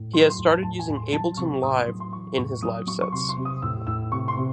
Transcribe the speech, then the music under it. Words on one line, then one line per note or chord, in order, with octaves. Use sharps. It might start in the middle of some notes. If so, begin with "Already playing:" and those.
He has started using Ableton Live in his live sets.
Already playing: A2
F#3 C6
C6
A2
A5
A2 A5
G#5
A2
C6
F#3 A5
C3 C#6
A2 D#6
C6
F#3
C6
E3 C#6
A2 C#6
F#3 D#6
F#3 C#6
C#6
C3 C6
C6
C3
D#6
A2 E6
A2 E6
C3 C#6
C6
C3